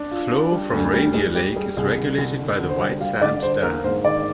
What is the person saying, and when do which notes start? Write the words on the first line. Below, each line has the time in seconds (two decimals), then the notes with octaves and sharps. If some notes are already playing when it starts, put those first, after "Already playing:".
Flow from Reindeer Lake is regulated by the Whitesand Dam.
Already playing: D4
0.11 F4
0.32 D4
0.52 G3
0.73 D2
0.94 G3
1.14 G3 G#4
1.35 G3 G4
1.56 G3 G#4
1.77 C2 G#4
1.98 C2
2.18 C2
2.39 D3
2.59 D3
2.70 C5
2.80 G3
3.00 G3 F5
3.21 D3 D5
3.42 D4 C5
3.62 A#3 A#4
3.84 G#2 C5
4.05 D#3 D5